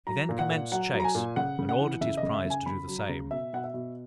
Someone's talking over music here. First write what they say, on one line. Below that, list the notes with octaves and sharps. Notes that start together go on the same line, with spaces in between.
He then commenced chase, and ordered his prize to do the same.
F#3 A#5
A#2
F#5
A#2
F#3 F#5
F#3
A#5
G#5
A#2
C#3 F#5
C#3
F#5
E3
C#3 E5
D#5
C#3
E5
C#3
G#5
C#3 B5
F#3
A#5
C#3
B2 E5
B2 F#5
E5
B2